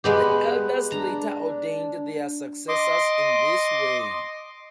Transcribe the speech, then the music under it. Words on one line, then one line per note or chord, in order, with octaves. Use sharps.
The elders later ordained their successors in this way.
G#3 B3 G4 F#6
D4 A#5
D#5 C6 D6